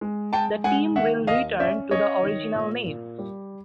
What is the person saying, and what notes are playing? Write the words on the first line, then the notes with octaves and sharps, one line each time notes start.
The team will return to the original name.
G#3
G#3 G5 A5
G#3 F#5 G#5
D#3 E5 F#5
D#2 D#5 F5
C#4 D5 E5
C#4 C#5 D#5
D#3
A#2
A#2
G3